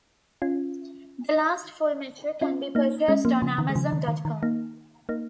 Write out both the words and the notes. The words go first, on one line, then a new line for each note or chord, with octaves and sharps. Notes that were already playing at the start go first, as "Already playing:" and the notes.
"The Last Full Measure" can be purchased on Amazon dot com.
C#4 F4
C#4 F4
A#3 D#4
G#3 C#4
F3 A#3
C#3 F3
D#3
G#3
C#3 F3
D#3
D#3
D#3
A#3 D#4
A#3 D#4